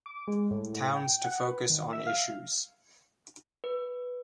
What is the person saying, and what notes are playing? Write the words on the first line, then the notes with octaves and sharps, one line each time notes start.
Towns to focus on issues.
D6
G#3
A2
A2
G5
F#5
B4
D#3
E5
F5
B4